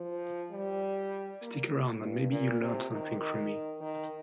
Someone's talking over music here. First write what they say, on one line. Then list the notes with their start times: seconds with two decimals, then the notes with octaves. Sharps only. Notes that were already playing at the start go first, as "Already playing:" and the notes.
Stick around and maybe you'll learn something from me.
Already playing: F3
0.51 G3
1.42 A#3
2.00 G2
2.31 A#2
2.61 C3
2.91 D#3
3.20 D#3
3.81 D#3